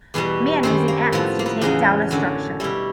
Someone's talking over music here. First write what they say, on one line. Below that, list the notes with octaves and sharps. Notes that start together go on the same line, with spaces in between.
Man using ax to take down a structure.
E2 B2 G3 B3
F#2 D#3 G3 C4
A#3
A2 F3 B3
A#3
B3
E2 C#3 F#3 D#4
F#2 D3 F#3
B2 G3 E4